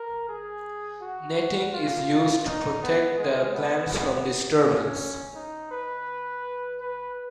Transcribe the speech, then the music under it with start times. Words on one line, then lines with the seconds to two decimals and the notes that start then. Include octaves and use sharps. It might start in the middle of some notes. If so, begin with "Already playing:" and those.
Netting is used to protect the plants from disturbance.
Already playing: A#4
0.29 G#4
1.01 F#4
1.73 F4
2.46 D#4
2.82 B3
3.18 G#3
3.54 B3
4.62 C#4
5.35 D#4
5.71 B4
6.80 B4